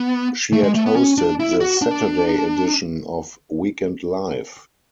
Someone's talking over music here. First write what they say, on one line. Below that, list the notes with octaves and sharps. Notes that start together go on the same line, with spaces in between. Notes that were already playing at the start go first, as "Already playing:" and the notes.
She had hosted the Saturday edition of "Weekend Live".
Already playing: B3
A3
G#3
A3
B3
C#4
D4
E4
F#4
D4